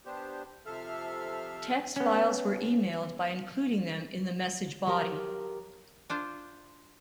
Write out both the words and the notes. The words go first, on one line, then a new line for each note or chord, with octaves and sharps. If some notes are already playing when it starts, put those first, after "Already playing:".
Text files were emailed by including them in the message body.
B3 D4 G4 C5
C3 F3 A4 E5 F5 F6
B3 C#4
F#3 G4 A#4 A#5
D4 F4 C5